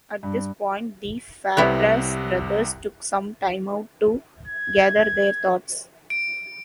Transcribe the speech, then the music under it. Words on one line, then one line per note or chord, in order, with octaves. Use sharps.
At this point the Fairbrass brothers took some time out to gather their thoughts.
G2
C2 C3 B3 E4 C#5 F#6
G#6
D7